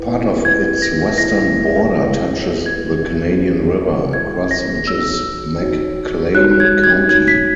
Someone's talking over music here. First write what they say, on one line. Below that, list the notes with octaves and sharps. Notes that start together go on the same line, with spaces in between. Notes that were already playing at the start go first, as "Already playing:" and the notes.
Part of its western border touches the Canadian River, across which is McClain County.
Already playing: E4 B4
E4 B4 G#6
A#6
E4 B4 A#6
E4 G#4 B4
E4 G#4 B4 G#6
E4 G#4 B4
E4 G#4 B4 G#6
A#6
D#4 F#4 C#5 E6
D#4 F#4 C#5
D#4 F#4 C#5 F#6
G#6
G#6
D#4 F#4 C#5 G#6
B6